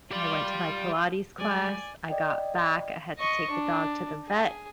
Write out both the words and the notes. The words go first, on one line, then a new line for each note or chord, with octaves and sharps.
I went to my Pilates class, I got back, I had to take the dog to the vet,
F4 G4 D5
F#3 G#3 D5 G#5
D5 D#5 G5
D#5 C#6
D4
G#4